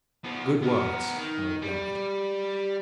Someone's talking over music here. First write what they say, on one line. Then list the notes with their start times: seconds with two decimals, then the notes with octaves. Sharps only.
'Good words,' I replied.
0.24 F3 B3
0.62 B3 A#4
1.17 D#3
1.62 G3